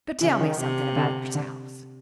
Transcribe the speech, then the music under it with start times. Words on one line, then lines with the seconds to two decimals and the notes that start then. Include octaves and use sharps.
"But tell me something about yourselves."
0.21 C#3 E3
0.40 D#3
0.59 C3
0.96 D3
1.35 D3